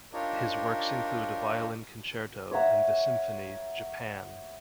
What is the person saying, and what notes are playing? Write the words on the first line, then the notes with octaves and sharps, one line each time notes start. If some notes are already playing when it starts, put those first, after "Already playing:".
His works include a violin concerto and the symphony "Japan".
D4 D#4 F4 G4 A#4 C#5
C#5 E5 F#5 A#5